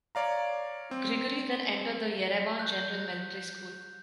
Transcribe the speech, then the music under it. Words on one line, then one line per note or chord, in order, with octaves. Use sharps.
Grigory then entered the Yerevan General Military School.
C#5 D5 F5 A#5
C4
F#6 G6